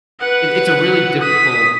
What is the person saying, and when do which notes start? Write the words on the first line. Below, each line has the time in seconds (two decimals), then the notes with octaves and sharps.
it it's a really difficult
0.21 B4 F#5
1.21 D#6 B6